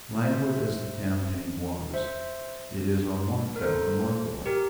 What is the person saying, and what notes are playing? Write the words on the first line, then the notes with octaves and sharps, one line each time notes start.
Languid as the campaign was, it is on one account remarkable.
C5 E5
C5 E5
A#4
A4 C5
G4 A#4